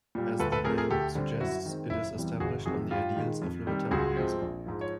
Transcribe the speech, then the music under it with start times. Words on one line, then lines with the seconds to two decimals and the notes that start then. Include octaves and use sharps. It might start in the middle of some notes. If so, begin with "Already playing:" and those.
As the name suggests it is established on the ideals of libertarianism.
0.15 A#2 G3
0.39 D2 A4 B4
0.52 A4 B4
0.65 C3 F3 A3 G#4 A#4
0.78 G#4 A#4
0.90 D2 G4 A4
1.15 D3 G3 C4
1.40 F#2 E4 F#4
1.66 D#3 G#3 C4
1.90 F#1 E4
2.15 E2 C3 E3 G3
2.40 G1 F#4 G#4
2.66 F2 C3 D#3 F#3 F#4 G#4
2.91 G2 F4 G4
3.16 D#3 G#3
3.42 F2
3.66 C3 D#3 G3
3.91 C#2 F#4 G#4
4.17 C3 F3 G#3 C4
4.42 A#1
4.66 G#2 F3
4.81 C#5